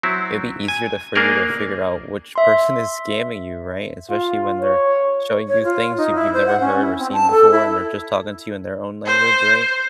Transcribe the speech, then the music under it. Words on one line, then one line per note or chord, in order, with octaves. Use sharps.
it'd be easier to for you to figure out which person is scamming you, right, especially when they're showing you things you've you've never heard or seen before, and they're just talking to you in their own language, right,
F#3 C4 E4
G#5
A#3 D4 G#4 A#4
E5 C6
F4
C#5
C#5
F4
D#4
E4
C5
F#5
C#4
E4
C4
A5
A4
E4
C5